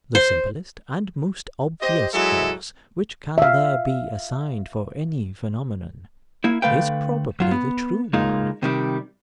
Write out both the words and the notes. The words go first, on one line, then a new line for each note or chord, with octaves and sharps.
The simplest and most obvious cause which can there be assigned for any phenomenon, is probably the true one.
C5
G4 C5 D#5
F#3 G#3 E4 F#4 A4 E5
E5 F5
A#3 E4
D3 A3 B4 F5 G5
F#3 F4
B3
C#2 G#3 A#3 D#4 F4
C3 D#3 G3